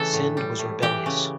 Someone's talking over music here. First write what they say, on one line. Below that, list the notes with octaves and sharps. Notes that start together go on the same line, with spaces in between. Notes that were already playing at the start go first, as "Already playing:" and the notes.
Sindh was rebellious.
Already playing: C#3 E3 A3 A4
A2
G3
A2
E3 G4
C#3